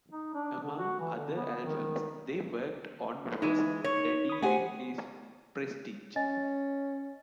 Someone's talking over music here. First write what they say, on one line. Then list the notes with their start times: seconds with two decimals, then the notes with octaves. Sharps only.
Among other albums they worked on was Daddy Yankee's "Prestige".
0.12 D#4
0.34 D4
0.63 D3
0.78 F#4
1.00 E3
1.14 D3
1.36 B3
1.66 D#3
3.42 E3 G#3 D#4
3.84 C#5
4.29 B5 D#6
4.42 A3 G4 C5 F#5 G#5
6.16 C#4 D#5 G#5 A6